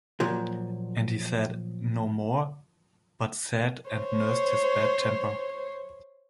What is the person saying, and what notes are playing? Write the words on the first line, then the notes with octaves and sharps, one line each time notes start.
And he said no more, but sat and nursed his bad temper.
A#2 F3 F#3
C5 C#5